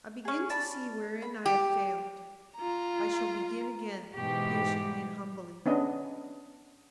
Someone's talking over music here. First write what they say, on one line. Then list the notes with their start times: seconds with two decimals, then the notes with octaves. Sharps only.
I begin to see wherein I have failed. I shall begin again patiently and humbly.
0.25 C#4 G#4
0.50 D5 A5 B5
1.22 B5
1.46 G4
2.57 F4 A#5
4.14 G#2 B2 E3 G4
5.66 B3 C#4 D4 D#5